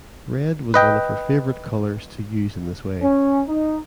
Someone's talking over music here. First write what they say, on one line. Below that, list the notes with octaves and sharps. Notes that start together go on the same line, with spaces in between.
Red was one of her favorite colors to use in this way.
B4 D#5 G5
C#4
D#4